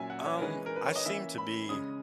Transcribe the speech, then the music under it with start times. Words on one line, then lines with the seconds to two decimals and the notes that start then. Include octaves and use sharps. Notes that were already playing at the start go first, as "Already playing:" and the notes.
Um, I seem to be,
Already playing: A#2 F#3 C#4 E5 G#5
0.10 F#5
0.26 C#5
0.38 A#4
0.41 E3 G#3 C#4 B4
0.66 A#4
0.76 B4
0.86 C#5
0.96 D#5
1.05 E3 A#3 C#4 E5
1.38 B5
1.69 C#3 G#3 C#4 D#6